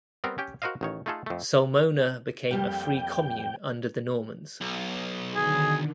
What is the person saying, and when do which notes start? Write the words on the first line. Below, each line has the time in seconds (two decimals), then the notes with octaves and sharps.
Sulmona became a free commune under the Normans.
0.24 G3 B3 C4 A#4
0.38 C#4 G4 G5
0.62 F#4 A#4 C5 D#5 F5
0.81 A1 D#3 C#5
1.06 A3 D#4 F4 G#4 A4
1.26 F2 A3
2.51 F2 G3 A#3 G5
4.61 B1
5.35 D3 D#3 G#4